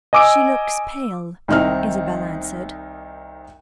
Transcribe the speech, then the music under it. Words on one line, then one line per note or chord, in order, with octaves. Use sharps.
"She looks pale," Isabel answered.
D#5 G#5 D6 E6 D7
C2 D#3 C4 D#4 F6